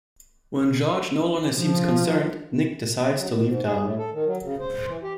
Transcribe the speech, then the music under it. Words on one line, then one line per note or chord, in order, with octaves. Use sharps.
When George no longer seems concerned, Nick decides to leave town.
F3
F#3
D#3
G#2
G#4
A2
A4
D#3
F#3
C#3
C5
E3
G4